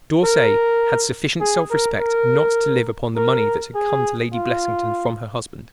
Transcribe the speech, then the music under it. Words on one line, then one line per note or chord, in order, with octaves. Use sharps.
D'Orsay had sufficient self-respect not to live upon the money that had come to Lady Blessington from her husband.
A#4
G#4
A#4
A#4
A#4
G#4
F4